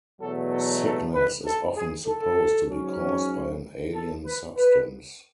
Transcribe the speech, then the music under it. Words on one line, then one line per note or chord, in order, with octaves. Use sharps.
Sickness is often supposed to be caused by an alien substance.
E2 B2 F#3 A3 A4
A4
A4
B4
A4
G#4
A4
G#2 F#3 C#4
A4
B4
B4